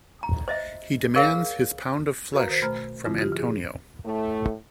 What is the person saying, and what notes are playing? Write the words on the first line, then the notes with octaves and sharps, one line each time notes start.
He demands his pound of flesh from Antonio.
A#5
C5 D#5 E5
G#4 A#4 C#5 E5 F5
F#4 A#4 B4 F5 A#5
D#3 C5
B2 A3 C5 A#5 B5 F6
G#2 D3 F3 E4 F4
F4 G4
F3 G#4
A2 A3